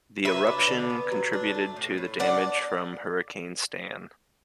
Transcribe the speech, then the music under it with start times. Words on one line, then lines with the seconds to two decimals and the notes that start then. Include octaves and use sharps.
The eruption contributed to the damage from Hurricane Stan.
0.25 F#3 B4 E5
0.47 D4
0.68 D3
0.90 B3
1.11 F#3
1.33 D4
1.55 A3
1.76 A2
1.98 A2
2.19 D4 D5 F#5